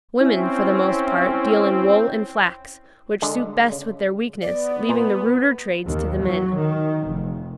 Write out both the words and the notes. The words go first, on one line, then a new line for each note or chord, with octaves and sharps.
Women, for the most part, deal in wool and flax, which suit best with their weakness, leaving the ruder trades to the men.
C4 C#4 E4
D3 G#3
C#3
B3 D5
A#2 B4
D#2
F#3
D#3
F1